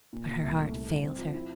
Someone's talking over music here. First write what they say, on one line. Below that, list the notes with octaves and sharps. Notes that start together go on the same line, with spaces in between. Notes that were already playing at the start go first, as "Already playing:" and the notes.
But her heart failed her.
A#2
A#2
C2
A3
C2
C2
C4
F3
E4